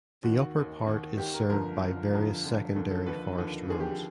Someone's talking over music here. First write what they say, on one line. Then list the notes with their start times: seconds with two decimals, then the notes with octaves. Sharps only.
The upper part is served by various secondary forest roads.
0.23 D#2 D#3 F#4
0.39 F#4
0.55 D#2 D#3
0.86 D#2 D#3
1.18 D#2 D#3 G4
1.34 A#4
1.49 G1 F2 D3 F3 A#4
1.81 G1 F2 D3 F3
2.13 G1 F2 D3 F3
2.44 G1 F2 D3 F3
2.75 D#2 D3 F3 A4
2.91 A4
3.06 D#2 D3 F3 B4
3.38 D#2 D3 F3
3.70 D#2 D3 F3 G#4
3.80 G4
3.91 G4